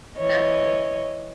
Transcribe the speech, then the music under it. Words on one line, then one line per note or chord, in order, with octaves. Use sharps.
That's really neat.
E3 C#5 D#5